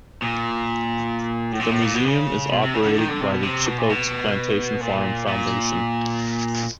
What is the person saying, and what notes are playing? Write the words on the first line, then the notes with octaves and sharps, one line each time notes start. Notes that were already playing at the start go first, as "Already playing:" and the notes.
The museum is operated by the Chippokes Plantation Farm Foundation.
A#2
A2
A#2
A2
A#2
B2
C#3
B2
C3
C#3
D3
D#3
D3
C3
B2
C3
B2
A#2
B2
A#2
A#2